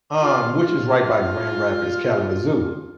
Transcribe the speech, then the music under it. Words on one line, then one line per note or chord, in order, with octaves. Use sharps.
um, which is right by Grand Rapids, Kalamazoo.
F4
F4